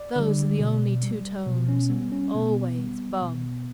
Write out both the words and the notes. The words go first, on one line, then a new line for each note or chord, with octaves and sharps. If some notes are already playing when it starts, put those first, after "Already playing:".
Those are the only two tones. Always bum!
Already playing: D5
D3 G3
B2
G3
B2
C#4
G3 B3
C#4
B2 B3
G3
B2